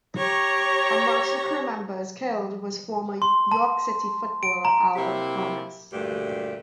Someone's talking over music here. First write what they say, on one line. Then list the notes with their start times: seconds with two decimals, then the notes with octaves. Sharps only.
Amongst the crew members killed was former York City footballer Albert Bonass.
0.17 G4 C#5 A#5 C#6
3.22 C6
3.52 A5
4.43 D7
4.65 A#5
4.96 C3 A#3 E4 G4
5.92 D2 G2 A#2 A3 G4